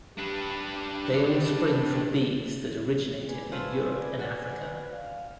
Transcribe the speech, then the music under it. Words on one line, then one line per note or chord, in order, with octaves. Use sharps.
They all spring from bees that originated in Europe and Africa.
D4 G4 B4
B4 D5 G#5
A3 F4 C5
F#4
F5